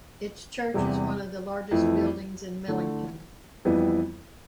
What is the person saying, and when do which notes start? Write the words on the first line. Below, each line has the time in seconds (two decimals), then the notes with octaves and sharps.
Its church is one of the largest buildings in Millington.
0.74 E2 C3 G3
1.71 F2 E3 A3 E4
2.68 D3 A3 E4
3.65 F2 E3 G3 B3 E4